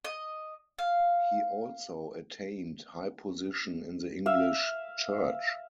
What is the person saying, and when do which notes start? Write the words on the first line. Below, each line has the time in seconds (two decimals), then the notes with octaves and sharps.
He also attained high position in the English Church.
0.05 D#5
0.78 F5
4.26 E5 F5